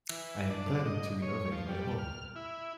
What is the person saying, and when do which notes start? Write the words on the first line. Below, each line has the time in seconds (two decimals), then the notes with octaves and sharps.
I am planning to renovate my home.
0.10 E3
0.50 D4
0.85 D#5
1.22 C#5
1.52 F3
1.68 G3
1.99 F6
2.36 E4